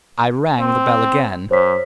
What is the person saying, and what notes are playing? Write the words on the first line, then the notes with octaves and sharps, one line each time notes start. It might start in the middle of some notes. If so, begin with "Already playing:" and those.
I rang the bell again.
C4
F#2 C5 C#5 B6